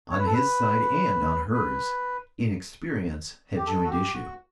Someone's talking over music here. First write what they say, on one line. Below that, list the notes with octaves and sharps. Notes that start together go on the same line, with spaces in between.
On his side and on hers, inexperience had joined issue.
C#5
B4
A4
B4
B4
G4
A4
F#4
G4
F#4